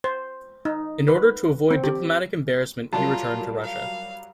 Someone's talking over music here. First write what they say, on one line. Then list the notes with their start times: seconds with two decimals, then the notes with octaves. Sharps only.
In order to avoid diplomatic embarrassment he returned to Russia.
0.04 C5
0.65 D#4
1.08 B4
1.71 C4
1.84 G4
2.93 F#3 G3 F4 A#4 A5
3.63 F5